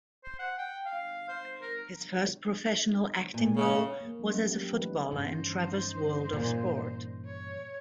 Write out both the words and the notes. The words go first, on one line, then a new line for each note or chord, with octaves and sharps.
His first professional acting role was as a footballer in "Trevor's World of Sport".
C5
F#5
G5
F5
C5
A#4
A#2
C#3
A#3
F#3 C#4 F#4
F3 D4 G4
E3 F3 G3 A3 D#4 B4
G2 E3 C#4 D#4 C5
A#2
C#5